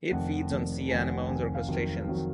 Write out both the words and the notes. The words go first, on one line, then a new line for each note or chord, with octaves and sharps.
It feeds on sea anemones or crustaceans.
F1 F2 D#3 F#5
F#5
F1 F2 D#3
F1 F2 D#3 G#5
F#5
F1 F2 D#3 G#5
F5
F2 D#3 F#3
F2 D#3 F#3